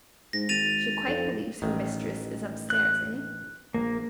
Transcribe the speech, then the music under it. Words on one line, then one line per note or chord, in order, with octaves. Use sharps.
'She quite believes her mistress is up stairs, eh?'
G#2 A#6
G#1 A6 D#7 F7
F2
A1 D#3
F#6
A#1 A#3